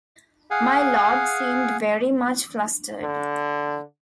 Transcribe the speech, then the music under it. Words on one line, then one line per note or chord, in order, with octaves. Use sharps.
My Lord seemed very much flustered.
G#4 F5 F#5 G#5
D3